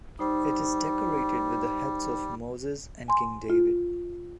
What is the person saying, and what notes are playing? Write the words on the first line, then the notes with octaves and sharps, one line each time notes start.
It is decorated with the heads of Moses and King David.
G3 D#4 C5
G#5 C6
F4